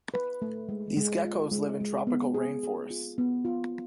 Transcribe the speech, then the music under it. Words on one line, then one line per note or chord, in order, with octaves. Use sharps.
These geckos live in tropical rain forests.
B4
A3
G#3
G#3
F4
G#3
G#3
B3
G#4
G#4
F4
B3
F4